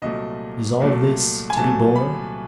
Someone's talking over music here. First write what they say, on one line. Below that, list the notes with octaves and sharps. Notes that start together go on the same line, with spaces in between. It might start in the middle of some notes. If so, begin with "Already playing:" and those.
Is all this to be borne?
C2 A#2 F#3 A3 D#5
C2 A#2 F#3 A3
G#5
C2 A#2 F#3 A3 A5
B5